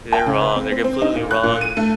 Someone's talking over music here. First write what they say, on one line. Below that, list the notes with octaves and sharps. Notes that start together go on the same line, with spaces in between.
They're wrong, they're completely wrong,
G5
C#3
B4
C4
C4
C4
D#4
A#2
F#6
A#2
D#7
A3